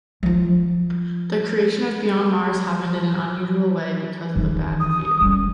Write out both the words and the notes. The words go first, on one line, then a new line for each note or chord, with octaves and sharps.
The creation of "Beyond Mars" happened in an unusual way-because of a bad review.
F3 F4
D#3 E3
D#6
G3 C#4